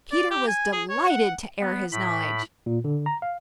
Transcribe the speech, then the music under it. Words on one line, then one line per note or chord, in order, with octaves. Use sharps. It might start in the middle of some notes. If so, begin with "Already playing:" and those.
Peter was delighted to air his knowledge.
D5
G4
G#5
G#4
C#5
F#5
B3
A2 B5
A#2
D3
A#5
F5